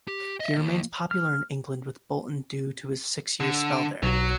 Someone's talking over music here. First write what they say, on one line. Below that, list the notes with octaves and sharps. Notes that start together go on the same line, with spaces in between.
He remains popular in England with Bolton due to his six-year spell there.
G4
D#5 E5
D#2
F6
D3
B1 F#3